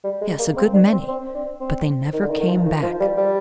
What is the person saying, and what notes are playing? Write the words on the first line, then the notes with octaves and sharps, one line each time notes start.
Yes--a good many--but they never came back.
G3
G#3
A#3
C4
D4
C4
C4
D4
C4
D#3
D3
D#3
D#3
F3
D#3
F3
G3
G3